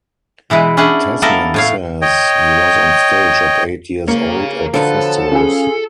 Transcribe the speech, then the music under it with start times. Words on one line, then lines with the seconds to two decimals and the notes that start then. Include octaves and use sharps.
Tasman says he was on stage at eight years old at festivals.
0.50 B2 E3 G#3 E4
0.77 C#4 D4 E4 G#4 F#5
1.22 A#3 B3 E4 A4 A#4 A5
1.54 A2 C#5 F5
2.02 C#5 D#5 G5
4.08 A#3 G#4 C#5
4.74 D3 F3 F#3 B3 A4
5.32 C#4 F4 G#4